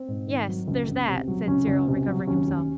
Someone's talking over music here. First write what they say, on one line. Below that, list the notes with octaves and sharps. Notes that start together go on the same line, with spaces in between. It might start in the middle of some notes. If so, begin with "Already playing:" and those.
'Yes, there's that,' said Cyril, recovering himself.
Already playing: C4
G#2
D#3
F#3
C#2
C#2
C3
F#3
C#2 C#4
C#2
C3
F#3
D#2 C#4
D#2